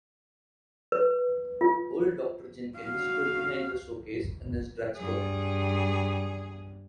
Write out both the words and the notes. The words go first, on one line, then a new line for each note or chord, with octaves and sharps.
Old Dr. Jenkins stood behind the showcase in his drugstore.
B4
F4
F#4 F5
G2 G#4